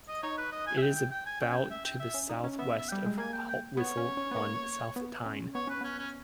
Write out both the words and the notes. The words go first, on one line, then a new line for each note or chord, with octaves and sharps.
It is about to the south-west of Haltwhistle, on the South Tyne.
D#5
D#4 C#5
B4
D#5
G#5
E5
G5
G5
G5
G#5
C#4 G5
G#5
G5
E5
G5
E5
C#4
D#4
C#4
B3 E5
E5
G3 G5
G#3
A#3 G#5
G5
G5
B3 C#5
C#4
C#4
B3
A#3
B3
C#4
B3 C#5
C#4 B4
B3 C#4
C#4